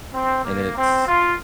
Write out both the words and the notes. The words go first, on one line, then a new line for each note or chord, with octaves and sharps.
And it's
C4
A#3
C4
F4